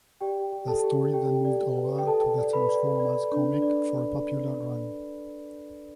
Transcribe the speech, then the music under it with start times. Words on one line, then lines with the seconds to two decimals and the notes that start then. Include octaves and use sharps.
The story then moved over to "The Transformers" comic for a popular run.
0.21 G4 D5 G5
0.52 G4
0.67 A4 A5
0.83 G4
1.13 G4 G5
1.45 D5
1.76 B4
1.98 G5
2.06 A4 A5
2.38 D5
2.53 B4 B5
2.69 D5
2.99 D5
3.32 D4
3.62 D5